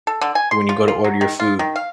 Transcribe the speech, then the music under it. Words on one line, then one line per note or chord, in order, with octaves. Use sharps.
when you go to order your food,
A4
D3
G#5
C6
F4
F4
F#3
D#3
F4
D#3
F5